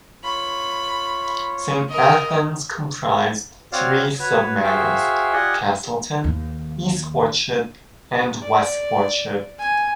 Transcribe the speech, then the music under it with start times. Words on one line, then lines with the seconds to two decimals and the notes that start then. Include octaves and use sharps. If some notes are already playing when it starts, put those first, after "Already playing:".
Saint Athan's comprised three sub-manors: Castleton, East Orchard, and West Orchard.
0.23 F4 C#5 B5
1.89 A#4 D#5
3.72 C4 F#4 C#5 D5 F5
4.19 F#4 B4 C#5
4.64 F#4 G#4 C5 E5 F5 G5
5.33 F4 G4 D5 D#5 F#5 G#5
6.24 D#2
8.42 D5
9.58 G#5